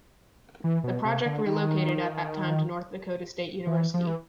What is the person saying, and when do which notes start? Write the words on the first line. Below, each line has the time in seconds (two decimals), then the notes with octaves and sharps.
The project relocated at that time to North Dakota State University.
0.64 E3
0.84 B2
1.05 C3
1.26 D3
1.47 D#3
3.67 E3
3.94 F3
4.07 E3